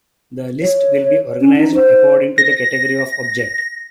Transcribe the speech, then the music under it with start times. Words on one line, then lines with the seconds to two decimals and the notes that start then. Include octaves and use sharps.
This list will be organized according to the category of object.
0.62 C#5
1.41 C#4
1.56 D#4
1.75 C5
2.38 A#6